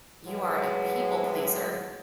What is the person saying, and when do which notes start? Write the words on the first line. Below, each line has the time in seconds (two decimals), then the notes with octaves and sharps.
You are a people pleaser.
0.25 A2 E3 F#3 G#3